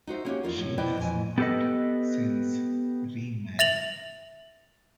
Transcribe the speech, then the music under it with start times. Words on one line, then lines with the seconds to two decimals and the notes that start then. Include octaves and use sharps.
She has not since remarried.
0.07 D#4 F#4 C5 E5
0.25 A#3 B3 C#4 D#4 F#4 G4
0.43 E2 D#3 D#4 F4 A#4 F5
0.56 F#2 A2
0.78 E4 B4 C5 D5 D#5 G5
0.97 F2 E3 G#5
1.38 B3 G4 A4 B4 D#5
3.59 E5 A6 F7 F#7